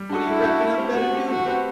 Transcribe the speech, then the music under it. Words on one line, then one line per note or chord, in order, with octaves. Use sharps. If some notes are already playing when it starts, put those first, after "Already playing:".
What you reckon I better do?
Already playing: G3
D4 F#4 A4
G3 E4
D4 F#4 A4
A3
C4 G4
A3 F#4
C4 G4
A3 F#4
C4 G4 B4